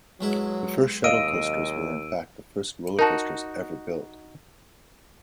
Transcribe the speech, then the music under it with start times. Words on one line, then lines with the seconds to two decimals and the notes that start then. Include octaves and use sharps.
The first shuttle coasters were in fact the first roller coasters ever built.
0.21 B1 F#3 G#3 E4
1.04 D#2 D#5 F5 E6 D7 D#7
2.99 D#4 F#4 A#4 A5